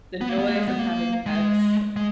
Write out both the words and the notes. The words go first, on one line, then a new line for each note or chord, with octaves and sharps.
the joys of having pets.
B3
A#3
B3
A#3
G#3
B3
A#3
G#3
G#3